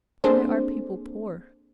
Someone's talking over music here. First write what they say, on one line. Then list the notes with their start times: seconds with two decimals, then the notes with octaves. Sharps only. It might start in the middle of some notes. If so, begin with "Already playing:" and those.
Why are people poor?
0.24 A#3 C4 D4 G#4 A4 C5